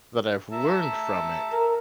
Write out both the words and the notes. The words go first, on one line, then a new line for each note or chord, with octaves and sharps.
that I've learned from it,
E5 A5 A#5
A#4